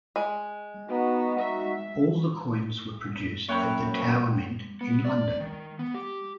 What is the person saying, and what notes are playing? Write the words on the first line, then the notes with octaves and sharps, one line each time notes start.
All the coins were produced at the Tower Mint in London.
G#3
B3 D#4 F#4
E5
F#2 A#3 C#5 F#5 G5 B5
B3
D5
D#3
B3
G4